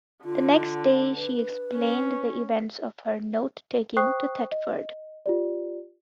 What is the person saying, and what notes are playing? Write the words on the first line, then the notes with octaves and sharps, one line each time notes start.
The next day, she explained the events of her "note taking" to Thetford.
D3 F4
B4
C#4
C5 G5 C#6 D#6 F#6 C7
D#5
F4 G4 D5